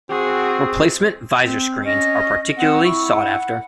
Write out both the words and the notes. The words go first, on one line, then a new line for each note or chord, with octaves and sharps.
Replacement visor screens are particularly sought after.
C4 F#4 G#4
C4
C#4 D#5
C4 F#5
E4 C#6
F#5